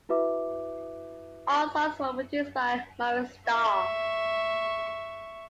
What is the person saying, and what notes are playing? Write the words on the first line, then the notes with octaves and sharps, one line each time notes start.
All songs were produced by Maurice Starr.
E4 F#4 B4 E5 D6
E5 C#6